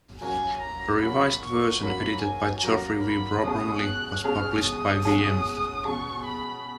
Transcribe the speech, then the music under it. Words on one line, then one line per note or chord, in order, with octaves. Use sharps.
A revised version, edited by Geoffrey W. Bromiley, was published by Wm.
F#3 A#3 C#4 F#4 A#4 G#5
A#5
F#3 A#3 C#4 F#4 A#4 B5
C#6
F#3 A#3 C#4 F#4 A#4 B5
G#5
F#3 A#3 C#4 F#4 A#4 A#5
B5
B2 G#3 C#4 G#4 D#6
F#6
B2 G#3 C#4 G#4 F6
D#6
B2 G#3 C#4 G#4
B2 G#3 C#4 G#4 C#6
B5